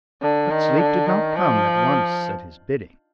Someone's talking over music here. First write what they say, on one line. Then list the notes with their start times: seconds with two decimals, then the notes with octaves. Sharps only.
But sleep did not come at once at his bidding.
0.22 D3
0.51 D#3
0.79 D3
1.07 D#3
1.36 F3